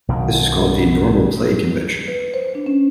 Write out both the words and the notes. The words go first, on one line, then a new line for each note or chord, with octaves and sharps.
This is called the "normal play" convention.
B1 B2 D#3
B4
C5
D4
C#4